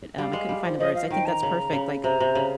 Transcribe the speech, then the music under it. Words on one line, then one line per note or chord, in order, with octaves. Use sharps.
um, I couldn't find the words. I think that's perfect, like
G3 F5
G#3
G3
F3
F3 D#5
F5
D#3 G5
A#5
C#3
C#3
C3 A#5
C3
C#3